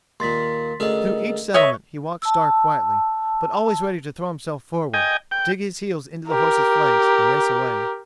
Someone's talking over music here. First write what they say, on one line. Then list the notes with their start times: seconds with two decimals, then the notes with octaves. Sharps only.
Through each settlement he walked Star quietly, but always ready to throw himself forward, dig his heels into the horse's flanks and race away.
0.20 D#2 A#2 C6 A6 B6
0.80 D2 C#4 G#4 A#4 D#5
1.54 B4 C#5 D#5 E5 C#6
2.22 A5 E6
4.94 D#5 G5 G#5
5.31 G5
6.29 G4 A#4